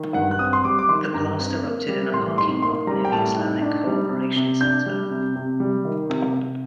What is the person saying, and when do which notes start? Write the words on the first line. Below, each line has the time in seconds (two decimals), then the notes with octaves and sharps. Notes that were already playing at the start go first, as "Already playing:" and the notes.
The blast erupted in a parking lot near the Islamic Cooperation Centre.
Already playing: D#3
0.14 G2 F#5
0.31 F#6
0.39 C4 D#6
0.53 C6
0.65 G3 D6
0.79 D6
0.89 D#3 C6
1.14 G2 A#5
1.39 C4
1.64 A#3
1.89 G3
2.13 A2 C6
2.38 D#4 C6
2.62 A#3 C6
2.87 G3 A#5
3.05 G5
3.12 A2 A5
3.38 D#4
3.62 D4
3.87 G3
4.11 C3
4.36 C3
4.61 D4 G6
4.86 G3
5.11 C3
5.36 C3
5.60 G3
5.85 D#3
6.10 C3
6.34 C3